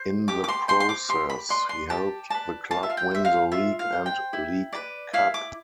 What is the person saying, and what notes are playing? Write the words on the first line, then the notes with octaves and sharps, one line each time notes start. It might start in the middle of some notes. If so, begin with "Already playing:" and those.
In the process he helped the club win the League and League Cup.
Already playing: C5
G4 D6
D6
C6
C5 C6
C6
D6
G4 C6
B5
B4 D5 C6
C6
G4 A5
B4 D5 A5
F4 A5
E5
F5
G5
C5 E5
F5
F4 E5
F5
C5
G5
E4
B4 D5
E4 F5
D6